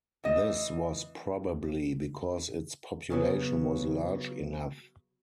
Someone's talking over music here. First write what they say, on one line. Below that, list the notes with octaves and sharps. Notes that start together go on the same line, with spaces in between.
This was probably because its population was large enough.
E3 D#5
C#3 F#3 B3